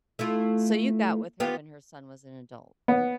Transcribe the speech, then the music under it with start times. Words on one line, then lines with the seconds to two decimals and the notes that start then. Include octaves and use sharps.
so you got with her when her son was an adult.
0.19 A3 E4 F4
1.40 B3 F4 G4
2.88 B3